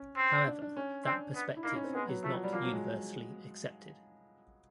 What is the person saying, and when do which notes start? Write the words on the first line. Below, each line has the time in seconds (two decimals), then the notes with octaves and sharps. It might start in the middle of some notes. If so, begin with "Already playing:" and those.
However, that perspective is not universally accepted.
Already playing: C#4
0.17 C4
0.47 D4
0.62 D4
0.77 C#4
1.05 C4 D4
1.35 B3
1.57 E4
1.64 A#3 D#4
1.75 C#4
1.84 C4
1.95 G#3 B3
2.08 F#3
2.24 F3 A3
2.34 F#3
2.44 G3
2.53 F3 A#3
2.63 F#3
2.73 G#3